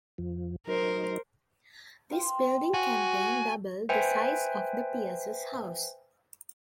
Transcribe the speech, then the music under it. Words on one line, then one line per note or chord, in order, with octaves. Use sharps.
This building campaign doubled the size of the Peirce's house.
F2 F3
F#3 D#4 A#4 C5
C5 F5 G5
F#4 G#5
B4 C5 E5 G5 G#5